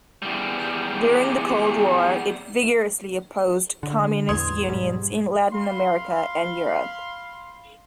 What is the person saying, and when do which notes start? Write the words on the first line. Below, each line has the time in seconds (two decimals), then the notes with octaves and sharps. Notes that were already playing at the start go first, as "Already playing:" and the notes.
During the Cold War it vigorously opposed Communist unions in Latin America and Europe.
0.22 E2 G3
3.83 D3
4.29 A1 E2 C6 D#6 G#6
4.67 E1 G#2 G3
5.52 F5 B5 C6